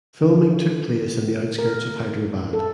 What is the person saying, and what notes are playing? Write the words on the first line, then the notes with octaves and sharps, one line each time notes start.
Filming took place in the outskirts of Hyderabad.
D3
A#4
A4